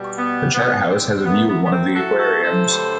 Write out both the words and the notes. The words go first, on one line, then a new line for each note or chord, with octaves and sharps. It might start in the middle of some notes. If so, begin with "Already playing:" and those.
The Chart House has a view of one of the aquariums.
Already playing: B2 G3
B3
E2 D3 G3 B3
C4
C4
F#2 F#3 A3 B3
B3
B3
C4
A2 F#3 A3 F#4 A4
F#4 A4
A4 C5
G2 D3 F#3 A3